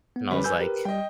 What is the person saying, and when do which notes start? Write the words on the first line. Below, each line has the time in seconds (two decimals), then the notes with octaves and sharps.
and I was like
0.16 B3
0.31 D3 G3 C#4 B4
0.44 B4 G#5 E6 G6
0.60 G4 A#4
0.85 G3 D#5 G5